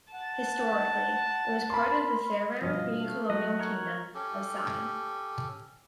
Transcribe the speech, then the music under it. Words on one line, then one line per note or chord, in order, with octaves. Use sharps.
Historically, it was part of the Serer pre-colonial Kingdom of Sine.
F#5 A5
A#4 B5 C6
G2 B2 F3 D#5 F5
A3
F#3 D#4 D#5 F#5
A#4 C#5
C#4 G4 A4